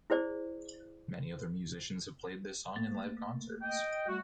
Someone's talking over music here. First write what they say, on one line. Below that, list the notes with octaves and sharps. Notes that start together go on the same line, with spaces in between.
Many other musicians have played this song in live concerts.
E4 G#4 C5 D5
A3 A#3 A6
D#5 G5
G3 A3 F#4